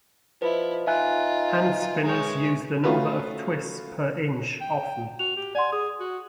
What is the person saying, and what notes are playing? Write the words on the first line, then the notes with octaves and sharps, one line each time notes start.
Handspinners use the number of twists per inch often.
F3 E4 B4 D#5
D#4 F4 E5 G#5 F#6
G#3 C#5
A3 C#4 F4 F#4 B4
G5
F#4 F7
G4
D5 F#5 G#5 C6
G#4 D#6
F#4